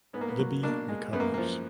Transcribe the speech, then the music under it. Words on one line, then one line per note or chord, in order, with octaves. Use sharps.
Libby recovers.
G#2 B3
A#3
B3
F#3
B2 A#3 D4
G#3
F#2 B3
A#3
F3 A#3